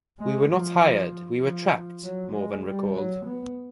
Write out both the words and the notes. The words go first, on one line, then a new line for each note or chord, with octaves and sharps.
"We were not hired, we were trapped" Morvan recalled.
G#3
F3
F3
F#3
G#3
G3
F#3
B3